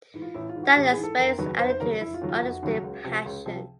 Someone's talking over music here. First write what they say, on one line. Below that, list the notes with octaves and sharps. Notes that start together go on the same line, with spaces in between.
That experience added to his artistic passion.
G#2 E3
F4
A1 E4
F4
G#2 E3
F#4
A1 G4
G#4
G#2 E3
A4
F1 A#4
D#2 C#3 F#3 B4
F1 C5
C5
D#2 C#3 F#3 A#4
F1 E4
F4
D#2 C#3 F#3
F4
F1 F#4
D#2 C#3 F#3
C#2
C3 F3
C#2
C3 F3